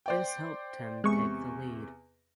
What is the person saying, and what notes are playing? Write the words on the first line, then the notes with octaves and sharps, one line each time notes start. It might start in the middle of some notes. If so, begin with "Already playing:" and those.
This helped him take the lead.
C5 D5 G5
E2 C3 G#3 C#6